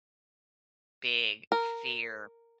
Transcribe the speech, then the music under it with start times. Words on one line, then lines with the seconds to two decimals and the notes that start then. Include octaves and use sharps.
big fear
1.52 A#4